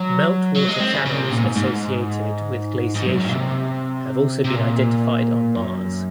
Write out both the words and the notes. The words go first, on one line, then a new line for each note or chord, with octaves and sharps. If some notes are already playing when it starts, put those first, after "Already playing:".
Meltwater channels associated with glaciation have also been identified on Mars.
Already playing: F#3
F#3
G#3
C4
C#3
C#3
C3
A#2
G#2
G#2
G#2
F#2
C3
C3
A#2
F#2